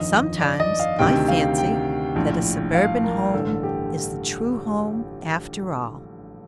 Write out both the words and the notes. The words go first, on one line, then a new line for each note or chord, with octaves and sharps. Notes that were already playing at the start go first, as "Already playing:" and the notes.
Sometimes I fancy that a suburban home is the true home after all.
Already playing: G1 F2 D#3 D#5
D5
D#5
F5
D2 C3 D#3 G5
F5
G5
A#1 A2
F5
A#4
A1 G2 D3 A4
G4